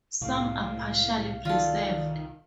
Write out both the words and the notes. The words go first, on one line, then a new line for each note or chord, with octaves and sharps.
Some are partially preserved.
C2 A2 F5
D#3 F4 A4 D5